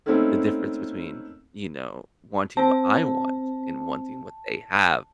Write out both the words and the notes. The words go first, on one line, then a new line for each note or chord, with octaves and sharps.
the difference between, you know, wanting what I want and wanting what they have."
A3 A#3 C4 C#4 D#4 E4
C4 A5